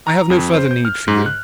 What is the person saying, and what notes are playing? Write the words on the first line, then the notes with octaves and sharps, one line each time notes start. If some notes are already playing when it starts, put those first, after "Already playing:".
I have no further need for you.
A#5
F2
C5
G6
F6
G#2
F#6